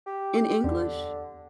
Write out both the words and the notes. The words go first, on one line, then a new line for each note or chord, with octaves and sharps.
in English?
G4
E2 D3